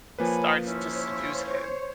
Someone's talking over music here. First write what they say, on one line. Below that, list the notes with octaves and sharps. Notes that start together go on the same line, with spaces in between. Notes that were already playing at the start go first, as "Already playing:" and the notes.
starts to seduce him.
F3 A#3 B4 C#5 G#5 B5
C#4 E4 C5 C#5